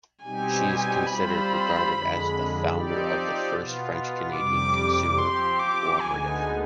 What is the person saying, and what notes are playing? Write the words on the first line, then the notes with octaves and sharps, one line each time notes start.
She is considered/regarded as the founder of the first French-Canadian consumer cooperative.
B2 G3 C4 D#4 G4 G#5
G3 C4 F4 C5 B5
F2 D3 G#3
F3 C4 D#4 G4 D5
B2 B3 F4
F2 C3 G3 D6
F3 C4 G4 C6
D6
D2 D3 G#3 B3 D#4 G#5